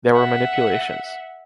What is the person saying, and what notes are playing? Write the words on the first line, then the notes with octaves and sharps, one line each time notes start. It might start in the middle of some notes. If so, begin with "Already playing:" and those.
There were manipulations.
E5 F#5